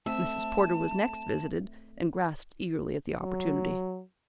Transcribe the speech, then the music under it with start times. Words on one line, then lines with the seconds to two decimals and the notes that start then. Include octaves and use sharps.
Mrs. Porter was next visited and grasped eagerly at the opportunity.
0.06 A3 C4 E5 A5
3.22 F#3